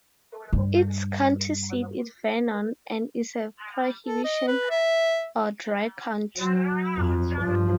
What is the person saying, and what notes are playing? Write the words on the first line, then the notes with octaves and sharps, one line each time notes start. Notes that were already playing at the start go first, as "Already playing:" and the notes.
Its county seat is Vernon and is a prohibition or dry county.
G2 G3
A4
D#5
B4
E5
F#3
F2
G2 F3